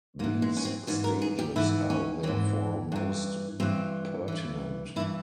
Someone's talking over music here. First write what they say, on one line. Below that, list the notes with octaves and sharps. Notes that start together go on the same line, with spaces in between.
These stages are therefore most pertinent.
G#2 E3 A#3
G#3
C#4
C4
G#2 E3 C#4
A#4
G#4
G4
G#2 E3 E4
C#4
G#2 E3 C4
G2 E3
G2 E3 C4
G2 E3
G2 E3 E4